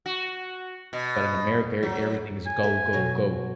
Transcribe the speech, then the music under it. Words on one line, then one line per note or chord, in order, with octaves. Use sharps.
But in America, er everything is a go, go, go.
F#4
B2
F#3
G#5
A4 E5
B2 F#3 F#4